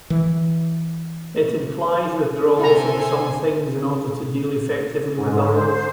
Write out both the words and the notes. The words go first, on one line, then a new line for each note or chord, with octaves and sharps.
It implies withdrawal from some things in order to deal effectively with others.
E3
C3 E4 A4 C5 G#5 A#5
G#2
C5